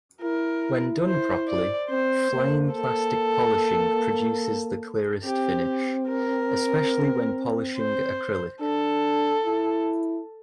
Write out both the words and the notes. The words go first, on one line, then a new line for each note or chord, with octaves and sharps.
When done properly, flame plastic polishing produces the clearest finish, especially when polishing acrylic.
E4 A#4
C5
D5
C4 C5
A#3
A#3 A4
C4 G4
A#4
C5
D4 A4
E4